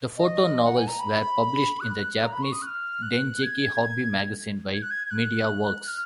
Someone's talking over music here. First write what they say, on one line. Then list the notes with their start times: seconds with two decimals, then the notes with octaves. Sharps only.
The photo-novels were published in the Japanese Dengeki Hobby Magazine by Mediaworks.
0.17 D#5
0.65 F#5
0.77 G#5
0.88 A#5
1.00 B5
1.80 F#6
2.24 A#5
2.33 B5
2.43 C#6
2.52 D#6
2.62 F#6
2.67 F6
3.02 F#6
3.43 G#6
4.73 G#6
4.82 F#6
4.91 G#6
5.06 G#6
5.11 F#6
5.88 F6